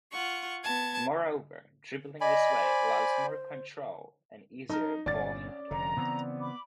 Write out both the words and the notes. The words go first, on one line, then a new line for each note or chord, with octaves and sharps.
Moreover, dribbling this way allows more control and easier ball-handling.
F4 F#5 C#6
B3 A5 G#6
D5 D#5 G#5 B5
C5
D#4 A4 A#4
G1 A#2 C#4 D5 A6
F1 D3 A#5
C#3 E3 B3 C4
B5 D6